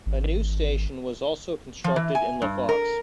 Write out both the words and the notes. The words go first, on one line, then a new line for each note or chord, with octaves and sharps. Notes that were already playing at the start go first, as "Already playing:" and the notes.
A new station was also constructed in LaFox.
G#1
F3
E3
G#5
G2
A#4